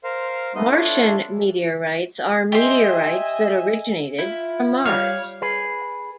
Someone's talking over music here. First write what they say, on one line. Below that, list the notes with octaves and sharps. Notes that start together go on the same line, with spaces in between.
Martian meteorites are meteorites that originated from Mars.
A#4 C5 F5
A3 B3 D#4 D#5
D4 E4 F4 A4 C#5
G4 D#5 E5 G#5 C6
E4 F4
G3 C#5 F5
G#4 B4